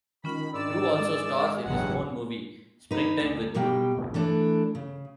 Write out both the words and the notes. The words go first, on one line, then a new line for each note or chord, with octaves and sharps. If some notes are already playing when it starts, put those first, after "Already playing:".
Roo also stars in his own movie, "Springtime with Roo".
D#3 G#3 C#4 F4 B5
G#2 D4 D5 E6
G#3
A1 E2 G2 C#3 F#3 F#5
D#4 B4
D2
B2 G3 A#3 G5
E3 A3 D4
C#3